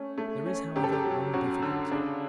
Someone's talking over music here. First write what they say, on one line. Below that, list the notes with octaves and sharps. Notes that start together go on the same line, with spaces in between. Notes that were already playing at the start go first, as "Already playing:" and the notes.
There is, however, one difficulty.
Already playing: A3 C#4
A3
C#4
F#2 G4
A4
G4
F#3
F#2 F#4
D3
C#3 D4